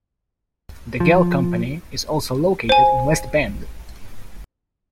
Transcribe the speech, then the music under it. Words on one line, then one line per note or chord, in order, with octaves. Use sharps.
The Gehl Company is also located in West Bend.
F3
C5 G#5